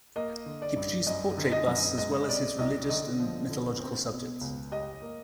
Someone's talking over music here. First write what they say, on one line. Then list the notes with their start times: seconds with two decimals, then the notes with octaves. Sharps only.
He produced portrait busts as well as his religious and mythological subjects.
0.16 A#3 D#5
0.46 D3
0.62 D5
0.76 G2
1.07 F#2 D#5
1.38 D3
1.52 D#5
1.67 F#2
1.98 G#3 D#5
2.28 C3 D5
2.58 C2 D#5
2.89 D3 D#5
3.20 F3
3.50 D3
3.80 C4
4.11 B2
4.41 C#2
4.72 G4 D#5
5.02 A#3